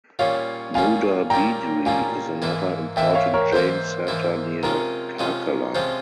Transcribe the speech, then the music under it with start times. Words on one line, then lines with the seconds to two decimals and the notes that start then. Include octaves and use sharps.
Moodabidri is another important Jain centre near Karkala.
0.19 A#2 G3 A#3 C#4 C#5 F5
0.74 A#2 G3 A#3 C#4 F5 G#5
1.30 A#2 G3 A#3 C#4 G5 A#5
1.85 A#2 G3 A#3 C#4 F5 G#5
2.42 G#2 E3 A#3 E4
2.96 G#2 E3 A#3 E4 E5 G5
3.15 C#5 F5
3.34 A#4 C#5
3.52 G#2 E3 A#3 E4 C5
4.07 G#2 E3 A#3 E4
4.63 C3 F3 G#3 C#4 F4 A#4
5.19 C3 F3 G#3 C#4 F4
5.74 C3 F3 G#3 C#4 F4 C5